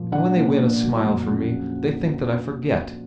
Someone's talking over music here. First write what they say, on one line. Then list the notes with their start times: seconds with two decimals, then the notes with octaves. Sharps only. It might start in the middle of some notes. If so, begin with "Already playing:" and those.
And when they win a smile from me, they think that I forget.
Already playing: A#2 F3 A#3
0.12 D4 F#5
0.36 A#3
0.59 A#2
0.82 F#3
1.06 F2
1.29 C#3